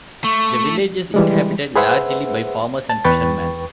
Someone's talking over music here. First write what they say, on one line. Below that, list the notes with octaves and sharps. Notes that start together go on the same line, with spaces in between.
The village is inhabited largely by farmers and fishermen.
A3 C#6
E3 G3 G#3
G#4 B4 C5 E5 F#5 E6
A5
E2 B4 G5 C#6 A6